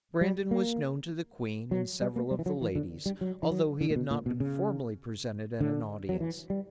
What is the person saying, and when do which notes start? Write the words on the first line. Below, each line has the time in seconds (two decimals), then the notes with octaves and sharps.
Brandon was known to the queen and several of the ladies, although he had not been formally presented at an audience.
0.21 G3
0.51 A#3
1.71 F#3
2.01 G3
2.16 A#3
2.31 G3
2.39 E3
2.46 F#3
2.61 E3
2.75 D3
3.06 G3
3.21 F#3
3.43 E3
3.51 F#3
3.81 D3
3.90 A#2
3.96 B2
4.11 A#2
4.26 B2
4.40 C#3
5.61 D3
6.09 F#3
6.20 E3
6.50 G3